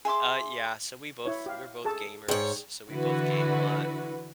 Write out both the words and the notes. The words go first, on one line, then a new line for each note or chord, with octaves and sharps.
Uh, yeah, so, we both we're both gamers, so, we both game a lot.
G#4 E5 C6 D6
E4 C#5
G4 F5
G#4 A4 A5
G#2 G#4 C#5 D5 G5
D3 E3 E4 F#4 B4